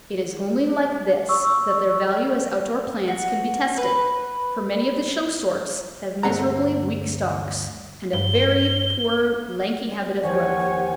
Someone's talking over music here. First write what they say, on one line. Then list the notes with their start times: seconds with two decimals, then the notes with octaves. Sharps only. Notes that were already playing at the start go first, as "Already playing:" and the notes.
It is only like this that their value as outdoor plants can be tested; for many of the show sorts have miserably weak stalks, and a very poor, lanky habit of growth.
1.29 C#6 E6
3.08 F#4
3.77 B4
6.23 D2 G2 G#3 C4 F#5 A#5
8.13 G2 G7
10.24 D#2 F3 G4 C#5 F#5 G#5